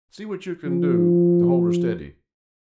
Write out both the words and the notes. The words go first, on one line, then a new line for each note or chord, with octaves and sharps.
See what you can do to hold her steady.
F3